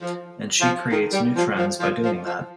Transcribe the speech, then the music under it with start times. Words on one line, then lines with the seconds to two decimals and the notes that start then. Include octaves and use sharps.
And she creates new trends by doing that.
0.02 F3
0.61 F3
0.91 D#3
1.13 G3
1.36 F3
1.58 F3
1.80 F3
2.03 F3
2.26 F3